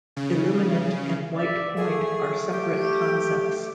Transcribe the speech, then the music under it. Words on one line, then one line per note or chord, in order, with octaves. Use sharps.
Illuminant and white point are separate concepts.
C#3
D5 E5
A3 G#4
G4